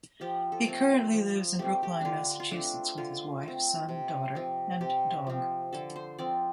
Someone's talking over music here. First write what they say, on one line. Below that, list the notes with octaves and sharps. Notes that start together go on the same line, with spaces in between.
He currently lives in Brookline, Massachusetts with his wife, son, daughter, and dog.
F3 G4
A4
A3 C4
C5
F3
A3 C4 G4
G4
D3 D4 F4
F4
A3 C4 D4
D3 F4
A3 C4
C3
F3 C4
C3 G4
F3 C4
D3 A4
C5
F3 C4 D5